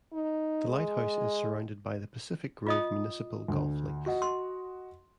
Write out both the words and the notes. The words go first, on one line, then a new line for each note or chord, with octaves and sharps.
The lighthouse is surrounded by the Pacific Grove Municipal Golf Links.
D#4
G#3
F4 D#5 D#6
D2
F#4 D#5 F#5
C6